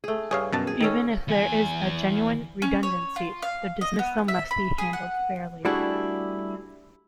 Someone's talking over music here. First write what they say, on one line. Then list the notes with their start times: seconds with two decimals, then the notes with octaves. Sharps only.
Even if there is a genuine redundancy, the dismissal must be handled fairly.
0.04 A3 G#4
0.31 G2 G#4 C#5 F5
0.53 F#2 B2 A5
0.67 G#4
0.81 D#3 C#4 A4 D#5
1.29 E2 G#5
2.62 C#4
2.83 C#5
3.16 F4
3.42 F5
3.81 D#5
3.99 B3
4.28 E5
4.51 B5
4.78 G#4
4.93 F#5
5.65 G3 A3 D4 E4 F#4 G#4